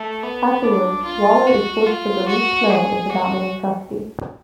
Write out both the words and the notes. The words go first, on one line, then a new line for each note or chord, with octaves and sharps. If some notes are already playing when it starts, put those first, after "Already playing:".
Afterwards, Waller is forced to release Snow into Batman's custody.
Already playing: A3
B3
D4
F4
F#4
F4
F#4
G#4
F#4